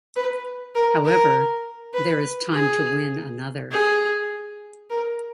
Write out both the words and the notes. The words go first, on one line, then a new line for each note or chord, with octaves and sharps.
However, there is time to win another.
B4
A#4
A#4
B4
G#4
G#4
A#4